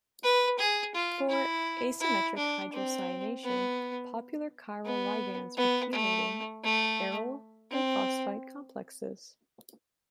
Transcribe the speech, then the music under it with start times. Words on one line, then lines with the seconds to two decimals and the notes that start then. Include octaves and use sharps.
For asymmetric hydrocyanation, popular chiral ligands are chelating aryl diphosphite complexes.
0.23 B4
0.59 G#4
0.95 F4
1.30 E4
2.01 E4
2.37 D4
2.72 C4
3.44 B3
4.85 B3
5.57 B3
5.92 A3
6.64 A3
7.70 C4